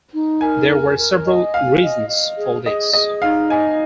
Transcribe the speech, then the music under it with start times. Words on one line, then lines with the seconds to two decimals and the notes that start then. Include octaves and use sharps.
There were several reasons for this.
0.13 D#4
0.41 A#4 G#5
0.69 A#4
0.98 A#4
1.25 D#5
1.54 F5 G#5
1.81 D#5
2.09 D#5
2.37 G#4
2.65 G#4 D#5
2.93 G#4 D#5
3.22 D#4 F5
3.50 D#5 G#5